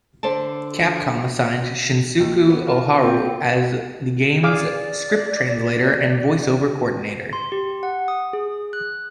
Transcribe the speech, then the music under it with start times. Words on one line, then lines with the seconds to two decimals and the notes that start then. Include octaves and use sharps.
Capcom assigned Shinsaku Ohara as the game's script translator and voice over coordinator.
0.23 D3 C5 D5 A5
2.20 D#2
2.50 B3
2.67 F4 A#4
3.02 C4 F4
4.43 G#4 D5 F5 D6
7.33 C6
7.52 G4
7.83 F#5
8.08 D#6
8.33 G#4
8.73 F#6